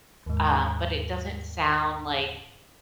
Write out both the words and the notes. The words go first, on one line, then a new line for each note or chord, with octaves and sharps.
Um, but it doesn't sound like
D#2 G#2